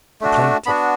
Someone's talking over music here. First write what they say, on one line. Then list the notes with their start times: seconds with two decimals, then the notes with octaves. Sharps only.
The plaintiff.
0.21 A3 D4 F#4
0.66 B3 D4 F#4 B5